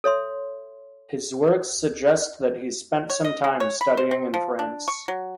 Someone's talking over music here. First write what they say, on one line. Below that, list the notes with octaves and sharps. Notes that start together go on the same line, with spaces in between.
His works suggest that he spent some time studying in France.
A4 C#5 E5 C6
C#5
D#5
G#3
C#5
B5
C5
C4
F3
D4
C#6
F#3